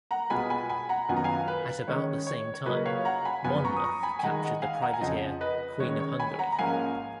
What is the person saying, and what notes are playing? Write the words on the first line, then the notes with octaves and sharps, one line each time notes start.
At about the same time "Monmouth" captured the privateer "Queen of Hungary".
F#5 A#5
B2 G#3 B3 F4 G#5 B5
G#5 B5
G#5 B5
F#5 A#5
F#2 D#3 F#3 B3 F4 G#5
A#5
F5 G#5
B4
D#3 G#3 C#4 C#5
C#5
C#5
C#3 F#3 A#3 C#4 F4 B4 D#5
C#5 F5
F#5 A#5
G#5 B5
F#2 F3 B3 F4 G#5 B5
A#5 C#6
D#6
A#5 C#6
G#5 B5
G#5
D#3 G#3 D#4 F#5 A#5
D#5 F#5
F5 G#5
F#5 A#5
G#5
F2 C#3 F3 D#5 F#5
B4 D#5
D#3 G#3 C#4 C#5
C#5
G#5 B5
F#5 A#5
A#5
G#2 F3 A#3 C#4 F5 G#5